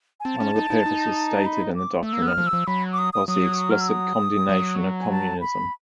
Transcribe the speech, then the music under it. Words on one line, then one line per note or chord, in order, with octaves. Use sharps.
One of the purposes stated in the document was the explicit condemnation of Communism.
G#5
C4 A5
C#4
D#4
D#4
D#4
B5
D6
A3 E6
A#3
B3
F6
F3
E6
F3
F#3 B5
D6
D#6
D#6
F#3 D#6
F6
E6
D#6
F#3
G#5
A5
B5